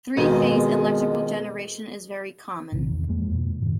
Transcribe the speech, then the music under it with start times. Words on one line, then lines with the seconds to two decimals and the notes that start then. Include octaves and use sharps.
Three-phase electrical generation is very common.
0.17 F2 B2 D#3 G#3 G#4 D#7
2.72 A#1 C3 D#3
2.90 E2
3.08 F2 F3 G#3 A#3
3.31 F2 B2
3.62 F#2 A2 D#3